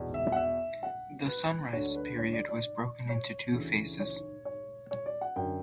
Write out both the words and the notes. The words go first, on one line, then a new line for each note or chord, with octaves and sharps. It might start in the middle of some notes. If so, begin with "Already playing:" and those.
The Sunrise Period was broken into two phases.
Already playing: E2 B2
E5
F#5
E5
F#5
B4
D2 D3 C#5
B4
C#5
D5
D5
C#5
D2 C#3 E3
C#5
C#5
C#5
D5
F#5
F#2 D3 G5